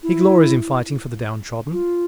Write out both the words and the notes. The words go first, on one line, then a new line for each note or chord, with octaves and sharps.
He glories in fighting for the downtrodden.
E4
F4